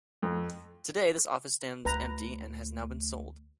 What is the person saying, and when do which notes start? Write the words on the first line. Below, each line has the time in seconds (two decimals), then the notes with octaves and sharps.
Today, this office stands empty and has now been sold.
0.22 F2
1.85 D2 B4 A#5